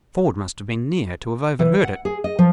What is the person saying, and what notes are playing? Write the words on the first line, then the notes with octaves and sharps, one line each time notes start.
Ford must have been near to have overheard it.
E3
F#5
G#4
D#5
F3